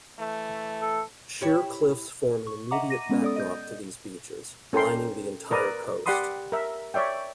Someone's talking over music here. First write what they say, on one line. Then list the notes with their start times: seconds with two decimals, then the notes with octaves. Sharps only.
Sheer cliffs form an immediate backdrop to these beaches, lining the entire coast.
0.19 E3 A3
0.81 A4
1.41 E4 G4 C#5
2.47 C#6
2.71 D#5 E5 F#5 A#5 D6
2.90 A#6 D#7
3.09 G#3 B3 C#4
3.22 A4 D5 D#6
3.36 D#5 G6
4.73 C#4 A4 A#4 G5 C6
5.51 A#4 B4 D5 A#5 D#6
6.06 G4 D5 F#5 B5 C6 D#6
6.52 A#4 E5
6.94 C#5 D5 E5 G5